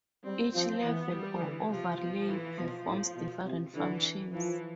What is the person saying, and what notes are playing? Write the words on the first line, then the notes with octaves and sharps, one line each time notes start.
Each level or overlay performs different functions.
G3 C4
F3 C4
E3 B3
G3
D3 E3
C3 F3
B2 F3
A2 E3
B2 F3
A2
B2
C3
D3 E3
E3 F3